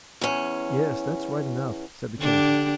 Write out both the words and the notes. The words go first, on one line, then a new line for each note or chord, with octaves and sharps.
"Yes, that's right enough," said the Cantab.
E2 C#4
D3 D4 G4